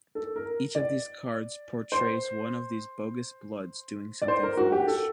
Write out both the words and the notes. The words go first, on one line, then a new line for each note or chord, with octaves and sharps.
Each of these cards portrays one of these bogus bloods doing something foolish.
A4
A#4
D5
C5
D5
C5
A#4
F#4
G4
A4